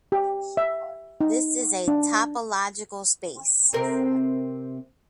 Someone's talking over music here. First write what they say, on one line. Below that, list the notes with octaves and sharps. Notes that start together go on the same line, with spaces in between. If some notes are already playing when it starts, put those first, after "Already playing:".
This is a topological space.
G4
E5
D#4
D4
C3 C4 A#4